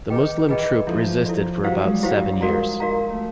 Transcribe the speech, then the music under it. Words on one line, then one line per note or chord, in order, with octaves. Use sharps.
The Muslim troop resisted for about seven years.
D#3 G#4 B4 D#5 G5
E3 G#4 B4 D#5 G5
F3 E4 A4 D5
E4 A4 D5
F#3 E4 G4 C5 F5
G#3
G3
F#3 E4 G4 C5 F5
G3
G#3 F#4 A#4 D5 F5 A#5
F#4 A#4 D5 F5 A#5
A3